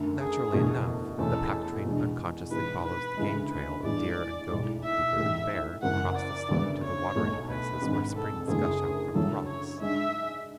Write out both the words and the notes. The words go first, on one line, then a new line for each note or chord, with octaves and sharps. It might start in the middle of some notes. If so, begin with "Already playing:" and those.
Naturally enough, the pack-train unconsciously follows the game-trail of deer and goat and cougar and bear across the slope to the watering-places where springs gush out from the rocks.
Already playing: F#2 D3 A3 D4
G#4
F#1 E2 B2 A3 D4
E2 B2 A3 C#4 E4 A4
E2 B2 G#3 D4
G#2 E3 B3 B4
B4
D2 C#3 E3 G#3
B4
A1 A2 G#3 B3 D4 D5
B1 A2 G#3
E5
A1 G#2 E3 A3
F#1 F#2 E3 F#5
D5
D2 C#3 F#3 B3
C#5
B1 B2 A3
B4
G#1 G#2 G#3 D4
A4
F#1 F#2 D3 A3 E4 G#4
D2 C#3 F#3 C#4 E4 A4
C#5
G#2 G#3 D4 E5